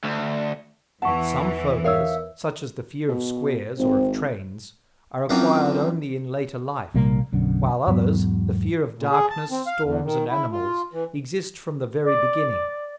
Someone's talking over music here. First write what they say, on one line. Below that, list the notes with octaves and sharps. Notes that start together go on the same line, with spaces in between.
Some phobias, such as the fear of squares or of trains, are acquired only in later life, while others, the fear of darkness, storms and animals, exist from the very beginning.
D2
E2 E3 F#5 A5 C#6
D#4 A#4 C#5 E5 F5 E6
B2
G#1 C4
F#2 E3 F3 C4
A#1 C3 G3 A#3
B1 F#2 D3
E2 G#2 F#3 B3
A#2
G#4
A5
C4
F5
E2
D#3
E4
F4
E3
D5